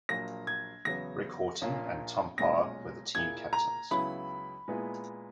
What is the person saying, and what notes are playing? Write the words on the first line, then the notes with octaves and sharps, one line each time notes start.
Rick Horton and Tom Parr were the team captains.
A#1 A#2 F#3 A#3 A#6
G#6
E2 C#3 F#3 B3 A#6
A#1 A#2 A#3 C#4
B1 A#2 G#3 C#4 G#4 A#6
A#2 A#3 E4 G#4 G#6
A#5
C#2 C#3 F#3 B3 E4 B5
A#2 G#3 B3 E4 G#4